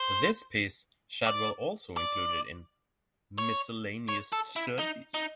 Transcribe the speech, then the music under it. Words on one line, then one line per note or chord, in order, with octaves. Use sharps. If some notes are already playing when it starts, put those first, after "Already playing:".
This piece Shadwell also included in "Miscellaneous Studies".
Already playing: C5
D5
D5
C#5
C#5
A4
E4
D#4
D#4